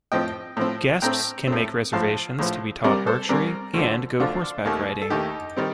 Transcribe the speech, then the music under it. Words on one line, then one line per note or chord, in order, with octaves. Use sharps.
Guests can make reservations to be taught archery and go horseback riding.
A2 F3 C4 D#5 G5
A2 F3 C4
A2 A3 C4 G5 A#5
A2 A3 C4
A#1 A2 F3 F5 A5
A#1 A2 F3
C2 C3 G3 C4 A#4 D5
A4 C5
C2 C3 G3 C4 A#4 D5
D2 D3 F3
D2 D3 F3 D4 F4
D#2 D#3 A3
A4
D#2 D#3 A3 D#4 G4
D#3 G3 C4